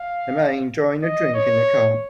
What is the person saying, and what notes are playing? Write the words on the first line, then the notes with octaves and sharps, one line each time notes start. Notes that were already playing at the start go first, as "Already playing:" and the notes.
A man enjoying a drink in a cup.
Already playing: F5
D#5
C#5